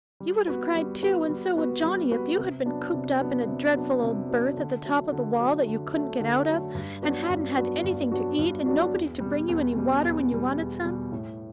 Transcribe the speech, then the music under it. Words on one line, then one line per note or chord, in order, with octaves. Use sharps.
You would have cried too, and so would Johnnie, if you had been cooped up in a dreadful old berth at the top of the wall that you couldn't get out of, and hadn't had anything to eat, and nobody to bring you any water when you wanted some.
G3
B3 F#4 B4
G3
B3 F#4 B4
G3
B3 F#4 B4
G3
B3 F#4 B4
C3
F#3 B3 D4
C3
F#3 B3 D4
C3
F#3 B3 D4
C3
F#3 B3 D4
D3
F#3 A3
D3
F#3 A3
D3
F#3 A3
D3
F#3 A3
G2
F#3 B3 D4 F#4
G2
F#3 B3 D4 F#4
G2
F#3 B3 D4 F#4
G2
F#3 B3 D4 F#4
E2
G3
B2
E2
B2 G3
E2
B2 G3
E2
B2 G3
A2